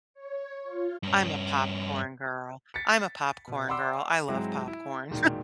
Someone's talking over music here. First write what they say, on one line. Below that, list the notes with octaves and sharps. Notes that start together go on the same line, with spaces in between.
I'm a popcorn girl. I'm a popcorn girl. I love popcorn.
C#5
F4
G2 C#4
A6 B6 C#7
B2
D5 F#5 B5 C6 D6 E6
G#2 F#3 G#3 C4 E4 F#4
E4
E1 A#2 D#3